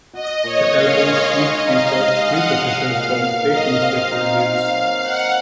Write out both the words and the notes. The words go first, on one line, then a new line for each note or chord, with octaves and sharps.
The album sleeve features three quotations from fake newspaper reviews.
F#4 D#5
A#2 C#5
G#3 F5
G#3 D#5
F#4 D#5
D#4 F5
G#3 F5
G#3 F#5
F#3 F5
A#2 F5
A#2 F5
F#3 D#5
C4 F5
D#4
D#4
F#3
D#4 F#5